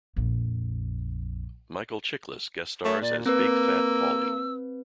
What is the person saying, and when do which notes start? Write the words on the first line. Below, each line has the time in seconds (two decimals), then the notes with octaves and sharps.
Michael Chiklis guest stars as Big Fat Paulie.
0.16 A#1 F2
2.85 A3 C#5
3.01 A#2 D5
3.26 A#3 C4 B4 E6